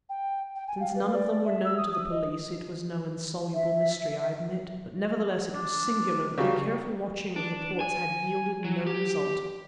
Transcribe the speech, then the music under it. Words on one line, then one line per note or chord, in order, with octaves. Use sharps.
Since none of them were known to the police, it was no insoluble mystery, I admit; but nevertheless it was singular that the careful watching of the ports had yielded no result.
G5
G5
G#5
F5
B4
D5
E5
E6
D#6
D#6
D#5
E5
D4
C#3 F#3 G3
D4
G#5
F#3
G4